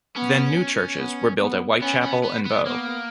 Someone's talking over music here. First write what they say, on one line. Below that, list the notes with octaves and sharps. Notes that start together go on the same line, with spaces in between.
Then new churches were built at Whitechapel and Bow.
B3 C#4
B3
B3
B3 C#4
B3
B3
B3
A#3 B3